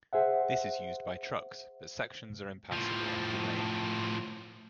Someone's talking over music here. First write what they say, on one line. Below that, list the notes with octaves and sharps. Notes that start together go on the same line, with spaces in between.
This is used by trucks but sections are impassable after rain.
G#4 C5 E5 F#5
A2 F3